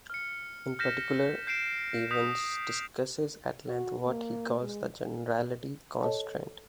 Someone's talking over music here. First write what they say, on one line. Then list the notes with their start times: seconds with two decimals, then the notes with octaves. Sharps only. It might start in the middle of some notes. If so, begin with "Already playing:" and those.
In particular, Evans discusses at length what he calls the "Generality Constraint".
0.10 F6 C#7
0.79 F6 G6 A#6 B6 E7
1.47 G6 C7 D7 E7
2.11 D#6 G6 B6
3.67 F#4
4.06 A#3
4.60 G#3
6.02 A4 C#5 D#5 A5